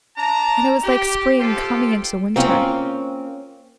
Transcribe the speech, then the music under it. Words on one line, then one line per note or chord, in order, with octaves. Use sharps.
And it was like spring coming into winter.
D4 A5 A#5
G4
F4 G4 A4 C5
A#3 C4 C#4 F4